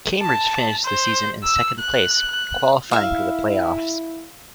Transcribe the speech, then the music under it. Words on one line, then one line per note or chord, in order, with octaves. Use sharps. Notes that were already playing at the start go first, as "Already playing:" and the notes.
Cambridge finished the season in second place, qualifying for the play-offs.
A5
C5
E6
F#6
E4 E5 F5